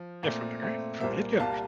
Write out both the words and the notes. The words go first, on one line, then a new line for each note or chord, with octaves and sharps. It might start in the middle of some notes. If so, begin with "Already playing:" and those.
Yeah, from the gr from the get-go
Already playing: F3
A#2 A3 C4
A#2 A3 C4
C2 A#2 G3 A#3 C5 E5
C2 A#2 G3 A#3 F5 A5